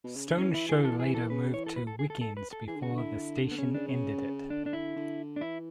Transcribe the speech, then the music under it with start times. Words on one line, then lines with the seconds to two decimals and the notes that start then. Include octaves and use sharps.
Stone's show later moved to weekends before the station ended it.
0.04 B2
0.15 C#3
0.28 D3
0.38 E3 C#4
0.54 E4
0.69 G#4
0.84 A4
1.00 G#4
1.15 A4
1.30 C#3 B4
1.54 E3 C#5
1.66 A4
1.76 B4
1.87 A4
1.99 G#4
2.10 A4
2.21 A4
2.37 B4
2.53 A4
2.68 E3 G#4
2.75 D3
2.83 C#3 F#4
2.91 D3
2.98 E4
3.51 B3
3.58 C#3 C#4
3.74 D4
3.89 C#4
4.50 D3 D4
4.66 D4
4.73 E4
4.96 D3
5.36 D4
5.41 E3 E4